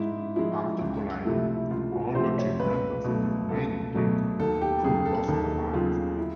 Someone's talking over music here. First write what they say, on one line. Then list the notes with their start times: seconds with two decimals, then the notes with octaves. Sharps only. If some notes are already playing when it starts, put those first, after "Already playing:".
After colliding, all but three members of the Romanian tanker crew lost their lives.
Already playing: G#2 G#3 E4
0.36 F3 G#3 E4
0.81 C#2
1.25 C3 F3 A3 E4
1.70 C#2 F4
1.92 F#4
2.15 C3 F3 A3 C5
2.38 C#5
2.60 C#2 B4
3.04 B2 F#3 A3
3.49 C#2 A4
3.94 B2 F#3 A3
4.39 D#2 A4
4.61 G4
4.83 C#3 F#3 G#4
5.06 A4
5.28 D#2 A4
5.73 C#3 F#3 F4
6.17 E4